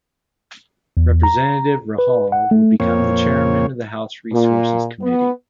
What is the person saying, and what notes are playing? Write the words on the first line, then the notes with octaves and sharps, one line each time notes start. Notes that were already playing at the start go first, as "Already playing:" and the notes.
Representative Rahall will become the Chairman of the House Resources Committee.
E2
A#5
B4
F#5
A3
F2 A#2 A#3 C4 C#5
A#2
B3